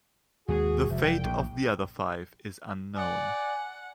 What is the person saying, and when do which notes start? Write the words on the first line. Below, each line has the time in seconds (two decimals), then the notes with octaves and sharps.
The fate of the other five is unknown.
0.49 D#2 G#3 F#4 G#4
0.90 F1 D2
1.04 C2 G5
1.24 A#1
2.96 D5 F#5 G#5